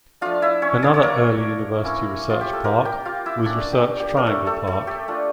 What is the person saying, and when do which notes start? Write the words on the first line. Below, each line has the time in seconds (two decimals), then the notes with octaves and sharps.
Another early university research park was Research Triangle Park.
0.21 F3 A3 D4 F4 F5
0.42 E4 E5
0.62 C#4 C#5
0.82 D4 D5
0.94 C#5
1.03 A#3 A#4
1.84 A#3 C#4 E4
2.30 F4
2.41 G4
2.53 A4
2.64 A#3 A#4
2.85 G4 G5
3.05 F4 F5
3.26 E4 E5
3.45 A#3 C#4 D4 F4 D5
3.73 G4
4.00 G4
4.17 A#4
4.26 A3 A4
4.46 A3 A4
4.67 A3 A4
4.87 G4
5.08 A3 D4 F4